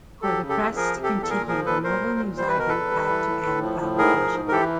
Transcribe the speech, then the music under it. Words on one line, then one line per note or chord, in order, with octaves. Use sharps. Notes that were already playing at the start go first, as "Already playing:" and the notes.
For the "Press" to continue, the "Mobile News-Item" had to end publication.
F#3 G4 A4
C#3
G4 A4
E2
F3 G#4 A#4
C3
G4 A4
E2
A4
A#2 G#4 A#4
F3 G#4 A#4
A#2 A4 B4
A#2 A#4 C5
F#3
A#2
G3 C5
B4
B2 A#4
E2 A4 B4
G3
E3
A2
A2
F3
A2
G#2 G#4 A#4
F3
G#2
A#4
E3 G4 A4